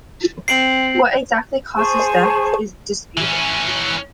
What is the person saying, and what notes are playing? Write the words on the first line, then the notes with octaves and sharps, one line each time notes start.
What exactly caused his death is disputed.
C4 C7 D7 F#7
G#4 C5 A5 C#6
E3 C#4